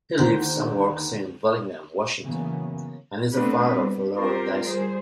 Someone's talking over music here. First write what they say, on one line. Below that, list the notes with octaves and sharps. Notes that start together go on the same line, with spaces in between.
He lives and works in Bellingham, Washington and is the father of Lauren Dyson.
D#2 D3 A#4 C5 G6
C#3 E3 F#3 A#3 B3 C#4
A3 B3 C4 D4 B4
G3
C4 F4 G4 A#4 C5
G3 G#4 C5